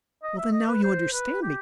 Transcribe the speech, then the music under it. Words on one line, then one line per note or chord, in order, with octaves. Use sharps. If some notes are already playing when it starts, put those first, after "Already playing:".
Well then, now you understand me.
D#5
E5
D#5
B4
C5
B4
G4